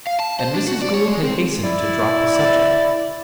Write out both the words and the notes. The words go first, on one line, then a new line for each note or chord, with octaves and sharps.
And Mrs. Gould had hastened to drop the subject.
F5
A5
C5
D4
F#4
D5
C#5
G#3
C4
E4 D5